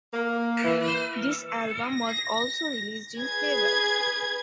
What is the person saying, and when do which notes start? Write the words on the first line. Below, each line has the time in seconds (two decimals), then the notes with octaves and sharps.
This album was also released in playback.
0.12 A#3
0.63 E3
1.88 A#6
3.20 G#4 B4 G#6